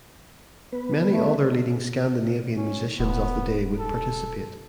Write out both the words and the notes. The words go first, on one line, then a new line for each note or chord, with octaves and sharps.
Many other leading Scandinavian musicians of the day would participate.
B3 B4
A3
C#4
D#1 B3
A4